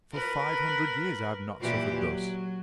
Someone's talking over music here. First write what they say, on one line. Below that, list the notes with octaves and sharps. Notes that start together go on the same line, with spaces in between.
For five hundred years I have not suffered thus.
A#4 B4
A#2 E3 G4
F#3